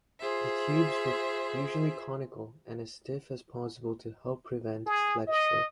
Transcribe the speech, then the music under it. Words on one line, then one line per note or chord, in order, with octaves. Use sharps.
The tubes were usually conical and as stiff as possible to help prevent flexure.
F4 G#4 C5 E5
G#4
D#5